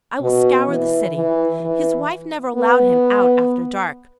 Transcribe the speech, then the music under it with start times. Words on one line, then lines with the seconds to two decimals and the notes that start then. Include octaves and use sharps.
"I will scour the city." His wife never allowed him out after dark.
0.22 B2
0.68 E3
1.15 E3
1.62 E3
2.56 B3